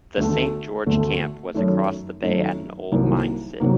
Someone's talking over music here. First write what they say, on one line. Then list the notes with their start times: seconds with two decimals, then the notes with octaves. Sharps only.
The Saint George camp was across the bay at an old mine sit.
0.17 D2 D3 A3
0.86 D2 D3 A3
1.55 F#2 D#3 A3
2.23 F#2 D#3 A3
2.92 C2 C3 D#3 F#3 A#3
3.60 C3 D#3 F#3 A#3